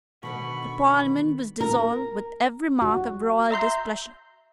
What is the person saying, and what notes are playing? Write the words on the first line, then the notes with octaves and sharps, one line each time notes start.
The Parliament was dissolved with every mark of royal displeasure.
B2 D3 D#3 B3 B5 C#6
A#4
F#4
E5 A#5 C6 G6